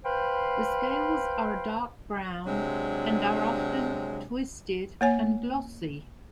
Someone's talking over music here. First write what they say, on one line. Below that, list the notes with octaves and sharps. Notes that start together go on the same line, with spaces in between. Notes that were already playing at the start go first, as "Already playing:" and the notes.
The scales are a dark brown and are often twisted and glossy.
B4 C5 F5 G5 B5 C6
C3 F#3 G#3 D4
A#3 C#5 G#5